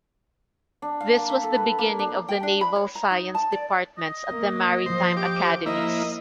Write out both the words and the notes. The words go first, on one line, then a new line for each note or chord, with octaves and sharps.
This was the beginning of the Naval Science Departments at the maritime academies.
D4
F5
A#3
E5
A4
B4
A#3
D4
G5
D4
B5
C#5
A#5
D#4
A5
D5
D#5
A#3
F3 C5
G4 D6
A#3 E4 D#5